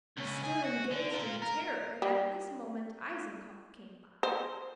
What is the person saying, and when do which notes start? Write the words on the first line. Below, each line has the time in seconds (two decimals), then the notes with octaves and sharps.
He stood and gazed in terror, and at this moment Eisenkopf came by.
0.17 C#2 C#4
0.44 G#4
0.64 F#4
0.91 D3
1.11 F4 A#4
1.42 A#4
2.02 G3
4.23 C5